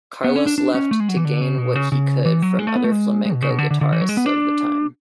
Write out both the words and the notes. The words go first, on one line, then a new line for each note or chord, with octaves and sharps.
Carlos left to gain what he could from other flamenco guitarists of the time.
B3
C#4
D4
D4
C#4
A3
G#3
F#3
E3
D3
C#3
B2
C#3
C#3
E3
F#3
G#3
A3
B3
A3
G#3
G#3
B2
C#3
B2
D3
D3
D3
E3
F#3
G#3
B3
D4